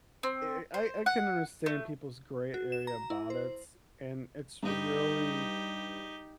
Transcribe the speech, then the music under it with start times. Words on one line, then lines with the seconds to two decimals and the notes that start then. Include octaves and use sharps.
I I I can understand people's gray area about it, and it's really
0.23 C4
0.74 C5
1.06 F#5
1.66 A3
2.54 F#4
2.72 E7
2.87 A#5
3.10 E4
3.30 C5
4.63 G2 D#4 G4